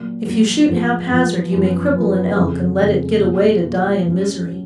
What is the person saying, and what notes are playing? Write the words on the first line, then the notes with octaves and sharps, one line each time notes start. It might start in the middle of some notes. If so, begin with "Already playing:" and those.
If you shoot haphazard you may cripple an elk and let it get away to die in misery.
Already playing: A#2 F#3 A#3
A#2 F#3 A#3
G#2 F3 B3
G#2 F3 B3
F#2 F3 B3
F#2 F3 B3
F2 C#3 G#3
F2 C#3 G#3
B2 A#3 F4 G#4
B2 A#3 F4 G#4
G#2 F#3 C#4
F#3